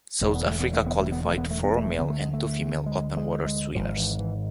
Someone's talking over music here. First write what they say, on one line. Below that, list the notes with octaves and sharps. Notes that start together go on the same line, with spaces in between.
South Africa qualified four male and two female open water swimmers.
E1 E2 D3 A3
B3
A3
B3
A3
B3
A3
B3
A3
B3
A3
B3
A3
D2 D3 B3
A3
G#3
A3
G#3
G#3
G#3
G#1 G#2 F3
E3
E3